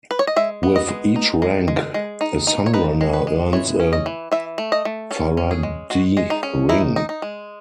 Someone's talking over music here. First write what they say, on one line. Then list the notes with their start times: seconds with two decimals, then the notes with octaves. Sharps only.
With each rank a Sunrunner earns a "faradhi" ring.
0.11 B4
0.19 C#5
0.27 D#5
0.36 G#3 E5
0.63 B3
0.76 D#5
0.88 G#3
1.16 D#4
1.42 G#3
1.68 G#3
1.94 G#3
2.21 D#4
2.47 D#4
2.66 C#5
2.73 D#4 B4
3.01 G#3
3.13 B4
3.27 G#3
3.53 E3 C#5
3.80 C#4
3.93 D#5
4.06 E3
4.32 E3 E5
4.58 A3
4.72 D#5
4.85 A3
5.11 C#4 A4
5.37 C#4
5.51 G#4
5.63 G#3
5.90 G#3 F#4
6.17 G#3
6.30 D#4
6.43 C#4
6.69 D#4 E4
6.96 D#4
7.09 D#4
7.22 G#3